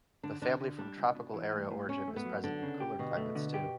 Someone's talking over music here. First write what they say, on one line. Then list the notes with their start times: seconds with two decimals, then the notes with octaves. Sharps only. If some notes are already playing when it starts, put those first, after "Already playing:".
The family from tropical area origin is present in cooler climates, too.
0.23 D3 D4
0.42 D3 D4
0.60 D3
0.79 G3 D4
0.97 C#2
1.15 B2
1.34 E3
1.52 A2
1.71 A2
1.89 B2 C#4
2.08 A3
2.16 B3
2.25 F#3
2.44 D3 D4
2.62 C#3
2.80 G4
2.99 B2 D3
3.17 A3
3.35 D3
3.54 G4